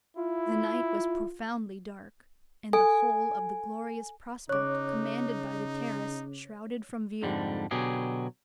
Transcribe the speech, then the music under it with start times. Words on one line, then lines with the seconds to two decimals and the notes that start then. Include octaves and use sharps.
The night was profoundly dark, and the whole of the glorious prospect commanded by the terrace shrouded from view.
0.17 E4 F4
2.73 A4 G#5
4.49 C#3 D#4 C#5 D6 F#6
7.23 F2 G#2 D3 G3
7.71 B2 D3 F#3 G4 G#4